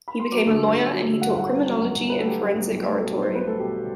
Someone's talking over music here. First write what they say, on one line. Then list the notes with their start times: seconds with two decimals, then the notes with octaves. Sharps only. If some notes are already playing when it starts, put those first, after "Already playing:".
He became a lawyer and he taught criminology and forensic oratory.
0.08 B5
0.20 C6
0.31 F#3 D6
0.46 D3 E6
0.62 G2 E6
0.76 G1
0.91 F#3
1.06 D3
1.21 G2 F#5
1.29 E5
1.36 G1 F#5
1.51 B3
1.66 F#3
1.80 F#2
1.96 G1
2.10 B3 B4
2.19 A4
2.25 F#3 G4
2.40 F#2 G4
2.55 G1
2.70 B1
2.84 A3
2.99 B2 A4
3.14 B1
3.22 C5
3.29 B1
3.35 B4
3.45 A3 A4
3.59 B2 G4